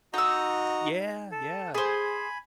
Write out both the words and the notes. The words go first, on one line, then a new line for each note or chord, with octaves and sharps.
Yeah, yeah.
D#4 F#4 D#5 A#5 E6
A4
G#4 C5 G#5 B5